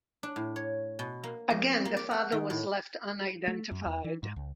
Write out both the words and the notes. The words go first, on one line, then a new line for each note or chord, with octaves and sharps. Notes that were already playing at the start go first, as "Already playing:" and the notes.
Again, the father was left unidentified.
D4
A2
C#5
B2
A#3
F3
A#3
D5
F#5
D#3
A2
A3
F#2
E2
E3
G#2
C#2